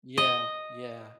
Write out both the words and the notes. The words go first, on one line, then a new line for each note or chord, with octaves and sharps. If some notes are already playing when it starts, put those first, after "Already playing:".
Yeah, yeah.
D#5